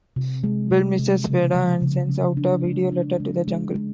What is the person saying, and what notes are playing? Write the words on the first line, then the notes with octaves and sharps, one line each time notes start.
Bel misses Weda and sends out a video letter to the jungle.
C3
G#3
C3
C3
C#3
F3
C#3
C#4
D4
G#3
D4
G#3
G#3
G#3